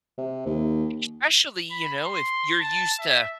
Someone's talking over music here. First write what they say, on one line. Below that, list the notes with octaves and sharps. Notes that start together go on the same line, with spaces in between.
Especially, you know, if you're used to,
C3
D#2
B5
C6
A5
E5